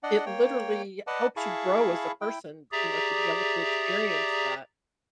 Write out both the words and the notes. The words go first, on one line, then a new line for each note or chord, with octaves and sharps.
it literally helps you grow as a person, you know, to be able to experience that.
D4 D5 D#5 F#5
A#3 C#5 G5
B4 D5 D#5 F#5 A5
E4 G#4 F5 A5 B5 C#6
E4 G5
G4 G#4 D5 E5 A#5